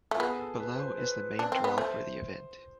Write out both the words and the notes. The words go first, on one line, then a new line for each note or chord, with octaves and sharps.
Below is the main draw for the event.
A3 F4
B3 G#4
A4
B4
C5
B4
D4
C4
B3
A3 C5